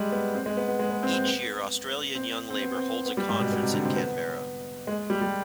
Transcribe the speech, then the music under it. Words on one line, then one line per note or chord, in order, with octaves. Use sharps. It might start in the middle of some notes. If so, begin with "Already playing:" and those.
Each year Australian Young Labor holds a conference in Canberra.
Already playing: G3 G#3
B3
C4
G#3
B3
B3
G#3
B3
C4
C4
B3
C4
C4
B3
C4
B3
G3
G#2
B2
B2
C3
D3
C4
B3
G#3
G3
G3